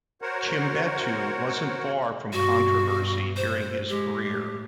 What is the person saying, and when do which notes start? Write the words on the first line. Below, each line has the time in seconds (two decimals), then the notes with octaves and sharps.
Chimbetu wasn't far from controversy during his career.
0.22 F#4 A#4 C5 C#5 F#5
2.33 G2 B2 F#4
3.36 C5
3.89 G#3 G4
4.24 A2